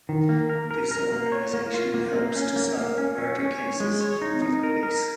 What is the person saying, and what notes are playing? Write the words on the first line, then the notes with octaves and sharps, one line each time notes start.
This organization helps to solve murder cases for the police.
D#3
A#3
A#4
A#4
A#4
A#3
C#5
A#3
F4
A#3
A#3
C#4
A#3
A#3
C#4
C#4
C#4
C#5
G#3
C#5
D#4
D#4
A#4
A#4